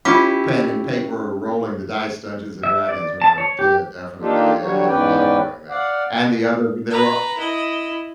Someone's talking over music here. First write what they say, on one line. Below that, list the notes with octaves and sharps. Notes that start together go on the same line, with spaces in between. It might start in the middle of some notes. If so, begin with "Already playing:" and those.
pen and paper, rolling the dice Dungeons& Dragons when I was a kid, definitely, yeah, yeah, we loved d doing that. And the other we there were
C#4 E4 F4 G4 D6
E5
D5
A5
C#5
G4
A#3 D4 D#4 F4 G4 A4
D3 F#3 G3 C#5
E2 G#2 C#4 B4 D5 G5
D5 F5 F#5
B4 A#5
E4 D#5